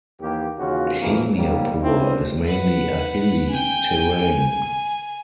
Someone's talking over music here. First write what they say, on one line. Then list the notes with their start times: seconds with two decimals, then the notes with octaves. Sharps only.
Hamirpur is mainly a hilly terrain.
0.21 D#2 D#3 E3 A#3 G4
0.58 D#2 C#3 E3 C#4 F4 F#4
1.01 E2 B2 E3 F3 A3 A#3
1.35 G#2 F#3 G3 A#3
1.84 B2 C4 D4 E4
2.44 B4 F#5
3.49 G5 G#5
4.21 G#5